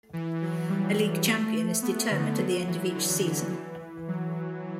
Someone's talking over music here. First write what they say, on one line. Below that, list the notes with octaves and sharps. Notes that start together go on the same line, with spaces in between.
A league champion is determined at the end of each season.
E3
F#3
G3
A3
B3
D3
F#3
E3
D3
E3
F#3
F#3